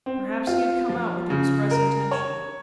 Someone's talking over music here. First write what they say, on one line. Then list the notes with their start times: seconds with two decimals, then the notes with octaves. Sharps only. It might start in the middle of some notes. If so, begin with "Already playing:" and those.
Perhaps he had come out with the express intention.
0.06 C4
0.47 F4
0.89 F3
1.30 C#3
1.71 A#4
2.11 C#5